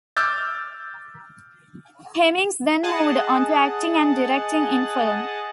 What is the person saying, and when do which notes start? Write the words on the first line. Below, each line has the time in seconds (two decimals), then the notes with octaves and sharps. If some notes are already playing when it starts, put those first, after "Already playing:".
Hemmings then moved on to acting and directing in film.
0.17 D6 E6 F6 G6 A6
2.83 G#4 D#5 F#5 A5